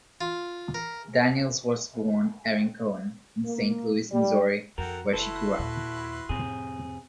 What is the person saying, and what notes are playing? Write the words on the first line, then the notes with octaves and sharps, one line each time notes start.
Daniels was born Erin Cohen in Saint Louis, Missouri, where she grew up.
F4
A#4
A#3
G3
F2 F#4 A4 A#4 F#5 G5
F#1 E4 F#4 A4 B4 C6
D#2 A#2
F2 A2 C3 G#4